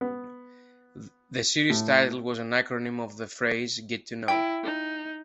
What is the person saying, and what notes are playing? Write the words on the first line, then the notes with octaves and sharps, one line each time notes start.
The series title was an acronym of the phrase "Get To Know".
B3
A2
E4 G5
D#4